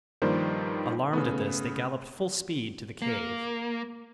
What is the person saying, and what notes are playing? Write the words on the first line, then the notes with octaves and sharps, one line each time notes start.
Alarmed at this, they galloped full speed to the cave.
G2 D#3 F3 G3 A#3 C5
C#3 A3 B3
A#3